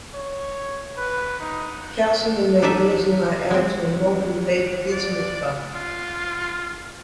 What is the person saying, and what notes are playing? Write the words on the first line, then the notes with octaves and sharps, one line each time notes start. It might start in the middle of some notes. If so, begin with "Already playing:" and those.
Calcium and magnesium are added to a molten lead-bismuth bath.
C#5
B4
D#4
D4 D#4 A4 E5
G#3 C4
D5
F4